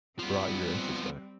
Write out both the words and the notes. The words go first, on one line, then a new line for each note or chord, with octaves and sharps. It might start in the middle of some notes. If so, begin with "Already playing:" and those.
brought your interest in it?
F3 G3 B3 C4